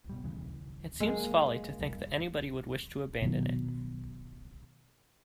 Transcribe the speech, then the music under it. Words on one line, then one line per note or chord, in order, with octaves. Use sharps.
It seems folly to think that anybody would wish to abandon it.
B2 G3
D#2 C#3 E3
F#3 G#3 A#3
F1 C2 G3
B2 D#3 F#3